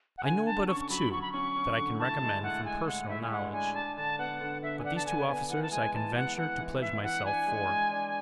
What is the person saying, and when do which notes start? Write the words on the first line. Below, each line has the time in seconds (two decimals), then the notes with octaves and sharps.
"I know but of two that I can recommend from personal knowledge; but these two officers I can venture to pledge myself for."
0.18 F#5
0.24 D3 G#5
0.46 D3 A5
0.68 C#4 C#6
0.81 C#6
0.90 F#3 B5
1.11 F#3 C#6
1.22 B5
1.32 C#4 C#6
1.56 C#4
1.77 D3
1.99 A2 A5
2.22 G#3
2.43 A2 F#5
2.65 G#3 G#5
2.86 A2 F#5
3.09 A2 E5
3.22 G#5
3.30 G#3 F#5
3.53 D4 G#5
3.74 D4 A5
3.97 D3 A5
4.19 B3 F#5
4.41 D3
4.62 D3 E5
4.79 G#5
4.84 D4 F#5
4.96 A5
5.06 D3 G#5
5.28 B3 G#5
5.50 E3 F#5
5.63 A5
5.71 G#3 G#5
5.94 E3 A5
6.15 B3 F#5
6.38 E3 F#5
6.59 E3
6.81 E3 E5
7.03 E3 F#5
7.25 D4 G#5
7.46 G#3
7.69 G#3
7.91 D4